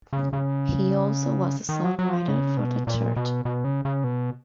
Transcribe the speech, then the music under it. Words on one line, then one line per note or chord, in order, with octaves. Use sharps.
He also was a songwriter for the church.
C#3
C#3
D#3
F#3
F#3
F3
C#3
B2
A#2
B2
B2
C#3
C#3
B2